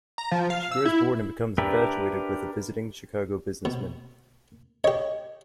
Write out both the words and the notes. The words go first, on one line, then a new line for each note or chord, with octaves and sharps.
She grows bored and becomes infatuated with a visiting Chicago businessman.
A#5
F3
F5
E6
E4
D4 G4 A#4 B4 E5
B2
G4 C#5 D#5